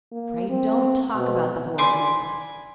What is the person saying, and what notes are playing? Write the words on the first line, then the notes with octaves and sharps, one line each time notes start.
"Pray don't talk about the horrid necklace."
A#3
C4
B2
D5 G#5 B5 C6